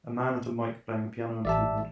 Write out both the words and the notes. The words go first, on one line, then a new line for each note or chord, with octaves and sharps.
A man at a mic playing a piano and keyboard.
A1 D5 E5 A5